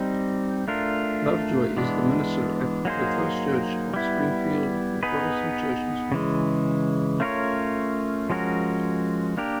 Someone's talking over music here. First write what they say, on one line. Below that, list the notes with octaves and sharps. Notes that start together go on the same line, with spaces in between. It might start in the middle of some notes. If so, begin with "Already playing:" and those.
Lovejoy is the minister at The First Church of Springfield-the Protestant church in Springfield.
Already playing: G3 C4 D#4
A3 D4 F4 A#4
E3 G#3 B3 D4
F#3 A#3 D#4 G#4 C5
G3 B3 E4
B3 D#4 G#4 B4
C#3 E3 G#3
A3 C#4 F4 A#4 C#5
F3 G#3 C#4 F#4 A#4
A#3 D4 G4 A#4